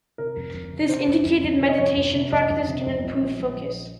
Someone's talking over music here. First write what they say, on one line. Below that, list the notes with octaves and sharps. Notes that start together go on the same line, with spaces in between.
This indicated meditation practice can improve focus.
C3 A#4
F1
F1
C3
C3 C5
F1
F1
F1
C3 C#5
D#5
F2 C#5
F1
C3
F1 D#5
F1
C3
F1
A#1
A#1
A#1
A#1